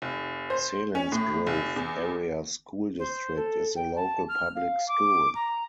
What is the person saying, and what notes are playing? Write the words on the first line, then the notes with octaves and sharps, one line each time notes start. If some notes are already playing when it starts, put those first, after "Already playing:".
Selinsgrove Area School District is the local public school.
F1
C5
C#4
A2
F1
E2
C5
A4
G5
A5
F6
F5
D6
A#5